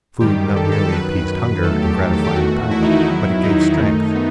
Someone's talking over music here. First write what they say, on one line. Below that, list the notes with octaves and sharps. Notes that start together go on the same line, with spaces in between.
Food not merely appeased hunger and gratified the palate, but it gave strength.
F#2 D#3 G3 G4
A4
G4
A4
F#2 D#3 F#3 B4
E2 D#3 F#3 A3 A4
G4
A4
G4
E2 D#3 A3 F#4
E4
D#4
E4
E2 D#3 F#3
D#4
F#2 D#3 A3
B3